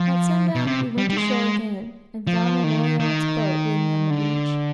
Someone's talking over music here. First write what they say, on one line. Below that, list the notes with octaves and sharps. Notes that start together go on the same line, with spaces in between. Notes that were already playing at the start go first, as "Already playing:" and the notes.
At sun-down we went ashore again, and found the Loriotte's boat waiting on the beach.
Already playing: F3
B2
C3
G3
G3
G#3
F3
D#3
D#3
D3